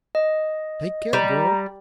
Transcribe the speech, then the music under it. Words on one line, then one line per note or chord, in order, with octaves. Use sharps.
"Take care, girl!"
D#5
G3 A#5